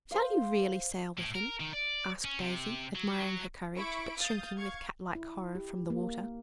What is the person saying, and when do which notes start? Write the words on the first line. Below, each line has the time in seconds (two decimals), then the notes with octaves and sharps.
'Shall you really sail with him?' asked Daisy, admiring her courage, but shrinking with cat-like horror from the water.
0.11 C5 F5
1.18 A2
1.35 A#4
1.60 D#3
1.73 D5
2.25 C#4
2.39 C3
2.95 F#3
3.20 F#3
3.76 E4 B5 C#6 D7
4.18 F5 D#6 G6 A6
4.57 F5 C#6 G#6
5.15 E4
5.55 G4
5.90 A#3